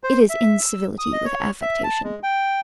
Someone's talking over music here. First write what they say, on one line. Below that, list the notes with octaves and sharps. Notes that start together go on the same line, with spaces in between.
It is incivility with affectation.
C5
E5
E6
D#6
D#5
C#5
E5
A5
G#3
G5